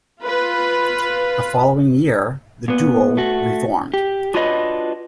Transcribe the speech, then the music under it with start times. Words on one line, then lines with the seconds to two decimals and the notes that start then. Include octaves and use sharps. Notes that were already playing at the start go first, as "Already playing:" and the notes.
The following year, the duo re-formed.
0.21 F4 B4
2.68 A#2 B3
3.17 A3 F#4
3.94 G4
4.34 D4 F4 F#4 B4 C#5 D#5